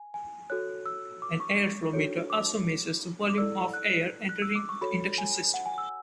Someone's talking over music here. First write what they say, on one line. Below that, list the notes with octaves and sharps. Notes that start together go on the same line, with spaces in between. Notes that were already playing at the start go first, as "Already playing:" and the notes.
An air flow meter also measures the volume of air entering the induction system.
Already playing: G#5
G#5
F#4 A4 C#5 F#6
E6
D6
C#6
D4 F#4 A4 C#5
D6
D6
E4 A4 D5 E6
F#6
F#6
E6
D6
C#6
F#4 A4 C#5 B5
G#5
F#5
G#5
E6